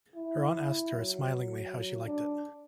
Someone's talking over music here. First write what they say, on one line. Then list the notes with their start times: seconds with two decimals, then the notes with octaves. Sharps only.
Her aunt asked her, smilingly, how she liked it.
0.15 E4
0.95 F#3
2.05 D4